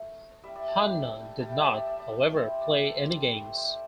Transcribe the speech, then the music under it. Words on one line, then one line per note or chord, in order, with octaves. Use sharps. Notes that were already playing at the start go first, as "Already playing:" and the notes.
Hanna did not, however, play any games.
Already playing: A3
G3 E4 E5
D5
A5
G5
G3 E4 A5
G5
E5
D5
E5
D5
G3 E4 C5
D5
A4
G4
A3 C4 E4
A4
C5
D5